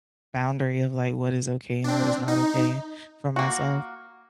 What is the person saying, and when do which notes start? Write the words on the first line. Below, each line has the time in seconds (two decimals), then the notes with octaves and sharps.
boundary of, like, what is okay and what is not okay for myself.
1.84 C4 D4
2.28 D#4
3.36 A#3 F#4